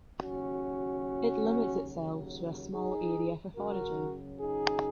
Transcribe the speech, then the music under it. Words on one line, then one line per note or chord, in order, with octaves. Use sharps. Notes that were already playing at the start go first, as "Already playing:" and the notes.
It limits itself to a small area for foraging.
D#2 C#3 F#3 C#4 F#4
D#4 G#4
F#2 C#3 F#3 F#4 A#4
D#4 G#4